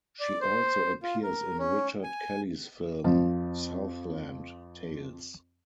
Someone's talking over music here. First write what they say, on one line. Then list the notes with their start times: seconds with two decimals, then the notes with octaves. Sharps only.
She also appears in Richard Kelly's film "Southland Tales".
0.20 D5
0.41 C5
1.03 F4
1.23 A#4
1.59 C#4
2.03 G#5
3.04 F2 F3